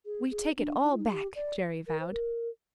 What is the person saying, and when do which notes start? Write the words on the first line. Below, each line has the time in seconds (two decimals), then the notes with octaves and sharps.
"We take it all back," Jerry vowed.
0.05 G#4
0.30 G#4
0.57 D4
0.83 D#4
0.91 F4
0.98 D#4
1.09 G4
1.35 D5
1.87 A#4
1.99 C5
2.12 A#4